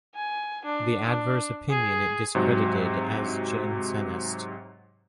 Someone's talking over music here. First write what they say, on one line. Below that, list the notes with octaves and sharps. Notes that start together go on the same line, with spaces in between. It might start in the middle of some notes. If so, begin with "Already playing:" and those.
The adverse opinion it discredited as Jansenist.
G#5
D4
D4
G#4
G#2 C3 F#3